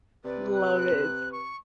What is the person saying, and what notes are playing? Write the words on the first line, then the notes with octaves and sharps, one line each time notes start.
love it.
C3 B4 D5
F#6
C#6